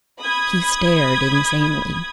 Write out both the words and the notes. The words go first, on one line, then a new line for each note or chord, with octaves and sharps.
He stared insanely.
B5 D#6 G#6